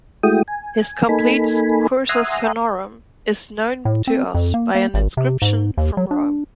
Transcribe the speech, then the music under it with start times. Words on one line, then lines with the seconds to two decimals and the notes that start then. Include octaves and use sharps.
His complete "cursus honorum" is known to us by an inscription from Rome.
0.23 G#3 A3 E4 F#4 G5 D#6
0.48 G#5
1.09 A#3 D#4 A4 G#5 B5
2.09 E5 F#5 G#5 A#5 C6 D#6
3.85 A2
4.07 C4
4.34 F2
4.54 A#3
4.75 A#3
4.94 G#1
5.17 C3
5.42 G#2
5.78 D#2
5.97 F#3
6.11 D4